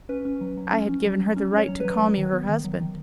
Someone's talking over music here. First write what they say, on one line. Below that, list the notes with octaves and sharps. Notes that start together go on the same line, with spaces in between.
I had given her the right to call me her husband.
C#4 B4
C#4
F#3
F#3
C#4
C#4
F#3
F#3
C#4
C#4
C#5
F#3
B4
F#3
F#3
D#3
B3
D#3
F#3
D#3